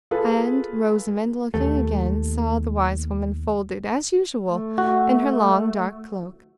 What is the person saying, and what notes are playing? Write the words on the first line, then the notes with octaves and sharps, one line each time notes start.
And Rosamond, looking again, saw the wise woman, folded as usual in her long dark cloak.
F4 G#4 A4 B4
D#2 A3
A3
F#4